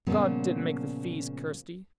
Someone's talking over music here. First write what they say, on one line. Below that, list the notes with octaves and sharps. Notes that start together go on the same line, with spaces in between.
"God didn't make the fees, Kirsty!"
A#2 C#3 F3 G3 A#3 B3